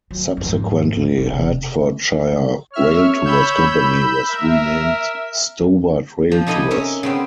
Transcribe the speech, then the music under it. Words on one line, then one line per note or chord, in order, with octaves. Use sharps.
Subsequently Hertfordshire Rail Tours company was renamed Stobart Rail Tours.
F#3
F2 G#2
E3
E1 C3
C#5 E5 F6
B5 E6 G6
A#4 E5
F3
C3 D#4 A4 D#5 G#5 B5
C#4 A#4 E5
C#3 B3 C4